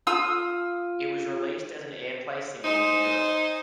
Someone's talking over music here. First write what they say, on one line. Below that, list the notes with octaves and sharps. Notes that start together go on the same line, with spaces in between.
It was released as an airplay single in Europe.
F4 D#6 E6
D#4 C5 G#5